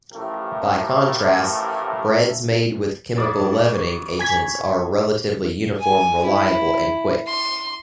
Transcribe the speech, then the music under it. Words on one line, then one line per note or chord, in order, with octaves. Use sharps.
By contrast, breads made with chemical leavening agents are relatively uniform, reliable, and quick.
A1 A2 F3 A3 G4 A#4
F2 D5 C#6 D#6
G#5 G#6 B6
G#5
E4
C6